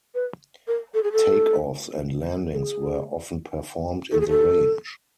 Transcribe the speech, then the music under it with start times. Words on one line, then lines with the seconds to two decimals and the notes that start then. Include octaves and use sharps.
Takeoffs and landings were often performed in the range.
0.15 B4
0.68 A#4
0.94 A4
1.03 G#4
1.12 A4
2.53 A4
2.57 G#4
4.11 A4
4.20 G#4
4.29 A4